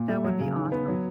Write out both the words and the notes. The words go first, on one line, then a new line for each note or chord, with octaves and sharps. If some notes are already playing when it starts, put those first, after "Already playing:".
That would be awesome.
Already playing: A#2
A3
F#3
C#3
D#3
B3
F#3